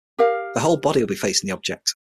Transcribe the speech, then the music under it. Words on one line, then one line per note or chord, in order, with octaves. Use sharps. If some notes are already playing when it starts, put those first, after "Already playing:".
Their whole body will be facing the object.
G4 A#4 F5